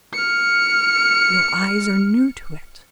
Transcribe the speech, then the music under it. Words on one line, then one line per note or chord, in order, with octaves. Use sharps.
Your eyes are new to it.
F6 C#7